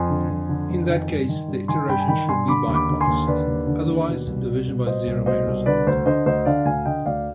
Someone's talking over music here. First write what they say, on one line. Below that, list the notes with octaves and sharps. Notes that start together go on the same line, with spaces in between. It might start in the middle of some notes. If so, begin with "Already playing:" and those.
In that case the iteration should be bypassed; otherwise, division by zero may result.
Already playing: F2 G#5 C6
D3
F2
D3
F2
D#3
G2
D#3
G2
D#3 G#5 C6
G2 G5 B5
G#5
D#3 G5 B5
G2 G#5 C6
D3 B5 D6
D#2
B5 D6
D3
G#5 C6
D#2
D3 B4 D5
D#2
D3
D#2
B2
C2
B2
C2
B2 C5 D#5
C2
B2 C5 D#5
C2
D3 B4 D5
D2 C5
D3 C5 D#5
D2 C5 D#5
D3 D5 F5
D2 F5 G#5
D3 D#5 G5
D2 D5 F5